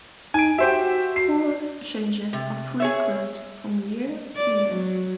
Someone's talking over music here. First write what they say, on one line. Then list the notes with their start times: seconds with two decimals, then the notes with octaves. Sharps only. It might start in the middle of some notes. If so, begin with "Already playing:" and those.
Course changes are frequent from year to year.
0.34 D#4 G#5 D7
0.58 F#4 G4 C5 E5
1.16 C7
2.33 C3
2.80 G#4 C#5 E5
4.36 D5
4.68 F#3